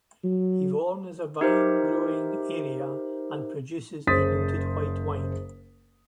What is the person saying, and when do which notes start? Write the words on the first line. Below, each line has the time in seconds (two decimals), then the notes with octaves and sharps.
Yvorne is a vine-growing area and produces a noted white wine.
0.24 F#3
1.41 D#4 G4 A#4 C5 E5
4.07 F#1 C#3 C5 D#6 A6 B6